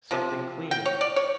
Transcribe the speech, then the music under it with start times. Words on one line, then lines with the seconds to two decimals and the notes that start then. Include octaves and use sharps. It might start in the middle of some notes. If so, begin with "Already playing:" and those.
Something clean!
0.11 C3 F3
0.71 G5
0.86 C#5
1.01 D5
1.16 C#5